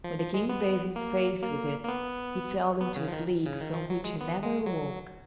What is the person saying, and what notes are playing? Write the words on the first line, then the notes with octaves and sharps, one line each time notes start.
When the King bathed his face with it, he fell into a sleep from which he never awoke.
F3
F3
G#3
B3
A#3
A#3
A#3
B3
B3
C#3
F3
D#3
C#3
D#3
F3
F#3
G#3
B3
G#3
F#3